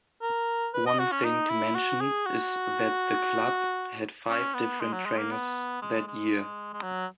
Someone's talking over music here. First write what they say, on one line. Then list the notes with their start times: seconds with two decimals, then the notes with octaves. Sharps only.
One thing to mention is that the club had five different trainers that year.
0.22 A#4
0.74 B4
0.86 D#5
0.99 F#4
1.12 C#4
1.24 D#4
1.50 E4
1.75 F#4
2.01 G#4
2.26 F#4
4.29 C#4
4.54 B3
4.80 G#3
4.93 F#3
5.05 G#3
5.18 A#3
5.31 B3
5.82 G#3
6.07 G#3
6.73 G#3
6.83 F#3